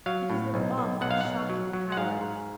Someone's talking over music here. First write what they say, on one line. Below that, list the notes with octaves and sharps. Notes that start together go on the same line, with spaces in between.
'Because they were all such shocking cowards.'
F#3 F5
A2
B1
B1
B1 F#5
F5
B1 F#5
F#3
F#3
F#5
G#2 F5
G#2